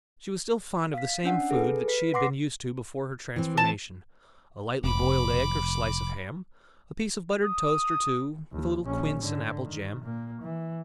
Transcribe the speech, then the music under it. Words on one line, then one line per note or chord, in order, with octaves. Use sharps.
She was still fond of the same food that she had been used to before her transformation, a lightly boiled egg or slice of ham, a piece of buttered toast or two, with a little quince and apple jam.
F5 B6
C#4 D4 F#5
G#4 A4 B4
B4 B6
F#5 C6 D6 A#6 C7
E3 C4
A5
F1 B5 D6
D#6
D#2
A#1 C#4
G#2 D3
D#3
A#2 A#3
E3